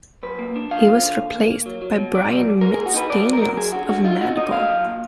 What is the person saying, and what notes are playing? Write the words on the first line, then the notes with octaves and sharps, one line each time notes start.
He was replaced by Brian "Mitts" Daniels of Madball.
F#2 B4
A#3
D4
F3 F5
F3
D3
D#2
A#3
A#3
F#3
F#3
B2
G#2 D5
F#3
G#2
G#3 A#4
G#4
A#2
F#4
D#4 B4
B1 D5
F#3
A#4
F#3
F#2 G#4
D3 F#4
D4 F#4
D#4 F4
D#4 F#4
D3 D#5
A#2 F5
F#3
A#2